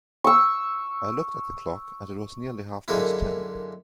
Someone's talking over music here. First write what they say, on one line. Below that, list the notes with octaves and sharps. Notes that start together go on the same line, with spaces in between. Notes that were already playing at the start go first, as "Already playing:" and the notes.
I looked at the clock, and it was nearly half-past ten.
C#6 E6
F#2 D3 G#3 A#3 E4